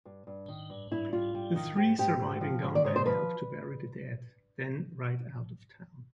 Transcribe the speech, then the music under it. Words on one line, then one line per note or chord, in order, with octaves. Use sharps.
The three surviving gunmen help to bury the dead, then ride out of town.
G2
G2
D#3
G2
G2 E4
G3 F4
G3
D#3
G#2 G4
G#2 G4
G#2
F3
G#2
D5
G#2 C#5
C5
F3 B4